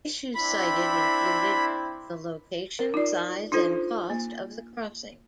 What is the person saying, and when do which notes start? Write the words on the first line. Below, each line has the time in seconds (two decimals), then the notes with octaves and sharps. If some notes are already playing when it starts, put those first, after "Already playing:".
Issues cited included the location, size and cost of the crossing.
0.35 C4 D4 E4 B5
2.79 A#4
2.94 D#4 F4 D5
3.52 D4 D#4 F4 A4 C5
4.10 A#3